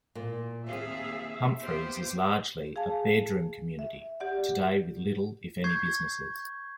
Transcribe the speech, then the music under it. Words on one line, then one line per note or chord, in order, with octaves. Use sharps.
Humphreys is largely a "bedroom community" today with little if any businesses.
A#2
D#2 F3 C4 G#4 E5 F5
B3 F4 G4 C5
G#4 F5 G#5 A5
E5
G4 D5 F#5
C#6 G6 G#6 C7